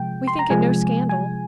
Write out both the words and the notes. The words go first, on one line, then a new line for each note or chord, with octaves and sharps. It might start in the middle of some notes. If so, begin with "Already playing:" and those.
We think it no scandal.
Already playing: C3 F3 G#3 G5
C6
A#5
C3 F3 G#3 G#5
G#5